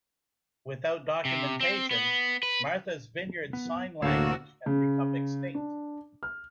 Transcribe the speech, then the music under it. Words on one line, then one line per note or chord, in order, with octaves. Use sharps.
Without documentation, Martha's Vineyard Sign Language can become extinct.
C3
C4
B3
B4
B3
D2 A2 D3 A#3 F#4 C#5 F5 E6
C#3
D4
F6